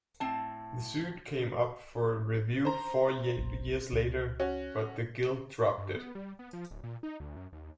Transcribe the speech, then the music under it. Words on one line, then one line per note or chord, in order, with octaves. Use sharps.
The suit came up for review four years later, but the Guild dropped it.
A2 C4 A5
C5 A#5
F#1 B1 A#2
C#2
C#4 F#4
G2
B3
G3
B3
F3
D1
A#2
D#4
D2
F#2
D#2